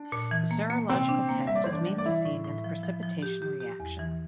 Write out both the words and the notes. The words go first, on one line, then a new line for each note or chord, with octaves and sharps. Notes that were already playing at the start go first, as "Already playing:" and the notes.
The serological test is mainly seen in the precipitation reaction.
Already playing: D4
A#2
E3
A#3
A#3
C3 C4 C5
D4
A#3
G3 E5
D5
E3 C5
D4 D5
G3
D5
E3 E4 E5
A2
A2
F3
F3
F3
G4
G4
G4
E2
E3